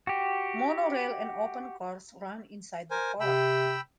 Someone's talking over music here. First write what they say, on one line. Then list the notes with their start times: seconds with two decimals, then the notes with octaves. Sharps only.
Monorail and open cars runs inside the park.
0.07 F#4 G4
2.91 A#4 C5 G#5
3.20 C3 G5 B5 E6